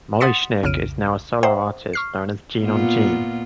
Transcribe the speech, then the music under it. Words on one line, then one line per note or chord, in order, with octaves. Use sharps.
Molly Schnick is now a solo artist known as Jean on Jean.
F#5 C6 D#6 A6 B6 C#7
B1 F2 C#3 F6 D7 D#7
C5 E5 F#5 G5 A#5
C#6 F6 C7
A#2 B3 F4